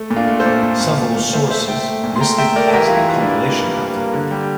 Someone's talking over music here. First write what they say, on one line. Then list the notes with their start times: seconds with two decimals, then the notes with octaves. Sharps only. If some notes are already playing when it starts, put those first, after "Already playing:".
Several sources list it as a compilation album.
Already playing: A3
0.10 A#2
0.16 D4 F4
0.28 A3
0.39 A4 C5
0.46 A#2
0.63 A#2
0.81 A#2
0.98 A#2
1.16 A#2
1.33 A3 C5 E5
1.50 A3 C5 E5
1.68 A3 E5 G5
1.86 A3
2.04 A#2
2.16 C6
2.21 A3 G5 A#5
2.38 A3 E5 G5
2.55 A3 A#4 D5
2.73 E3 G4 A#4
2.87 E3 F4
2.97 E4
3.08 E3
3.21 D4
3.26 E3
3.43 A#3
3.61 G2
3.79 A#3
3.96 A#3
4.13 D3
4.31 G3